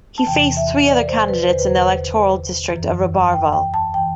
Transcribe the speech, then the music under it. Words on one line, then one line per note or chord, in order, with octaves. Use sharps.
He faced three other candidates in the electoral district of Roberval.
A5
E2 C3 E3 G5
E5
D5
C5
B4
E2 D3 C5
B4
C5
F#2 E3
G5
G5
A5
E3 G5